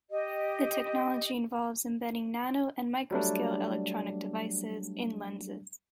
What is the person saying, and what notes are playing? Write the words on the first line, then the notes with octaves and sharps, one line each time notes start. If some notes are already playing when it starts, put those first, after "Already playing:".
The technology involves embedding nano and microscale electronic devices in lenses.
G4 D#5
F#3 G3 A3 D4